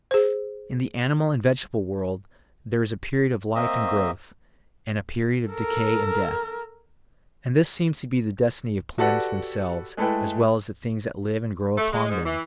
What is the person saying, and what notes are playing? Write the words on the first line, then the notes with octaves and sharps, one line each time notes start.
In the animal and vegetable world there is a period of life and growth, and a period of decay and death; and this seems to be the destiny of planets themselves as well as the things that live and grow upon them.
G#4 C5
A#3 C4 D#5 E5
A4 A#4
F#4 G4 A4 B4 D5 F#5
G#3 A3 E4 A4 B4 G5
A3
G#3
G#2
E3